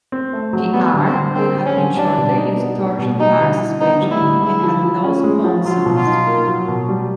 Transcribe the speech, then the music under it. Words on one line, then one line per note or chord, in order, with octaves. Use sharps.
The 'R' would have been shorter, used torsion bar suspension and had no sponsons.
C4
A3
F#3
G3 B3
D3
C4
D3
A#3 C4
G3
C#4
D3
G3 D4
B2
D#4
B3
G3
B2
G3 D#4
D3
E4
B3 D#4
G3
E4
D3
G#3 E4
F3
F3
C#4
G#3
F3
F#3 F4
B2
F4
D#4
A#3
F#3
B2
G3